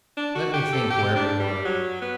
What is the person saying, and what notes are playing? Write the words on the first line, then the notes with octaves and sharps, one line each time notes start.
LET me think where we were.
D4
F#4
G4
A4
G4
D4
G3
F#3
B3